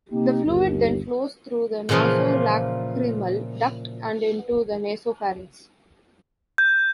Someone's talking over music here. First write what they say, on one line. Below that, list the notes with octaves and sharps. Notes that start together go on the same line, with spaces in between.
The fluid then flows through the nasolacrimal duct and into the nasopharynx.
C3 A#3 D#4 G4
G1 D#2
A#2 C#3 E3 F3 A#3
G6